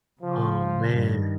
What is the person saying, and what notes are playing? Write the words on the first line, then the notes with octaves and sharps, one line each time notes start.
Oh, man.
C#3 F3
G2 D#3